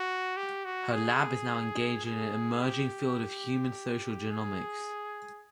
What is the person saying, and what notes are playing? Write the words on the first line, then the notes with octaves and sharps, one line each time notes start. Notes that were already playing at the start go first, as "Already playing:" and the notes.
Her lab is now engaged in an emerging field of human social genomics.
Already playing: F#4
G4
F#4
G#4
G#4
G4
G#4